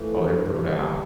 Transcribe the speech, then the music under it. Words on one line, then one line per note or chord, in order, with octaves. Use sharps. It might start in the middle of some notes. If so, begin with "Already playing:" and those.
Oh, they'll throw down.
Already playing: E3 F3 A3
G2
E3
F3
E3 G3
E3